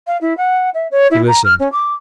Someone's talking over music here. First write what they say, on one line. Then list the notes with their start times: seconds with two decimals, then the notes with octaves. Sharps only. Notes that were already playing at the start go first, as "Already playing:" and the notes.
He listened.
0.07 F5
0.21 E4
0.37 F#5
0.74 E5
0.91 C#5
1.11 E4
1.27 A#5
1.44 F6
1.60 C#4
1.72 D6